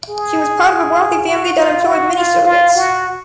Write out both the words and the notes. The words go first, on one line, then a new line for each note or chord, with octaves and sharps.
She was part of a wealthy family that employed many servants.
G#4
F#4
F4
F#4
F4
F4
F#4